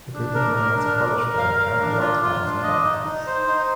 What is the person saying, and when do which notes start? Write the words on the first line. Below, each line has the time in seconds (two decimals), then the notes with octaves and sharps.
A group of men are at a college fair carrying white bags and backpacks.
0.13 D4
0.35 A#4
0.55 A#4
0.76 D4
0.97 A#4
1.18 A#4
1.38 F5
1.59 A#4
1.80 D4
2.01 F4
2.23 F4
2.44 D4
2.63 D#5
2.85 D#4
3.05 D#4
3.26 C5
3.47 D#4